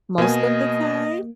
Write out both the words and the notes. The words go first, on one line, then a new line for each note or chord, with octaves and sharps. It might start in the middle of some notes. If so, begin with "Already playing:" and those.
most of the time
B2 A#3 D#5 G#5